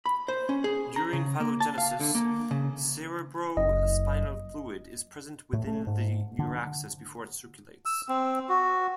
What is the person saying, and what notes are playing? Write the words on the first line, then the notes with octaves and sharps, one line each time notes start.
During phylogenesis, cerebrospinal fluid is present within the neuraxis before it circulates.
B5
C5
C#4
G#4
A#5
C#3
A#3
A5
F5
D3
A#3
C#3
F#1 D#5
A2
A3
G#2
D3
E6
C4
F#4